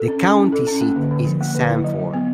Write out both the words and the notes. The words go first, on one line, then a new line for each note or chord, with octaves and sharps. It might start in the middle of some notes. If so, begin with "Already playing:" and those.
The county seat is Sanford.
Already playing: A4
C#4
C#4
E4
A4
C#4
A#3
D3
D3
F3
A#3
D3
E4
F#3
F#3
B3